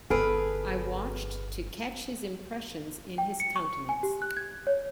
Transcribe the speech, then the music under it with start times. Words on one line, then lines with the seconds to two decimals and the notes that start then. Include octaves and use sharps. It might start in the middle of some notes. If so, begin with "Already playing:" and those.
I watched to catch his impressions in his countenance.
0.10 G1 B3 G#4 A4 B4 F6 D7
3.18 G5
3.40 C#7
3.56 C#6
3.89 G#5
4.03 G4
4.22 F#6
4.37 G#6
4.67 C#5